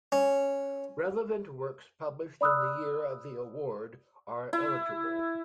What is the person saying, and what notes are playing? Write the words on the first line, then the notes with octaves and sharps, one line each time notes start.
Relevant works published in the year of the award are eligible.
C#4
D5 B5 D#6 E6 F#6
E4